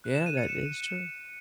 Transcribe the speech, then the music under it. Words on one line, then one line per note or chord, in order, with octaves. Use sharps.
Yeah, that is true.
F#6
E7
D#7
C#7
E7
D#7